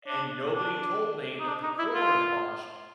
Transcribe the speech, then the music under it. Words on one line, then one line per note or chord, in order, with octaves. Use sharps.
and nobody told me that the corn husk
D4
D4
D#4
D4
D#4
E4
F4